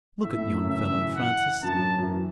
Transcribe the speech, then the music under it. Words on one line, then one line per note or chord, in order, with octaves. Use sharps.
Look at yon fellow, Francis!
A2 A3 E5
A2 A3
F#2 F#3
C#3
E3 E5
C#3
E3
F#5
F#2 F#3 A5
F#2 F#3
F#2 F#3
E3